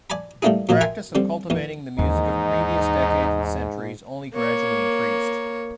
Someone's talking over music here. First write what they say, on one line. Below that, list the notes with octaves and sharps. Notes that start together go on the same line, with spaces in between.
The practice of cultivating the music of previous decades and centuries only gradually increased.
D5 G#5 A5 B5
G3 A3 A#3 D4 E4 G#4
A#2 F3 F#3 A#3
A#4 E5 G5 G#5 C6
D3 G3 C4
D#2 E3
D#2 G#2 E3 D#4
A#3 C#5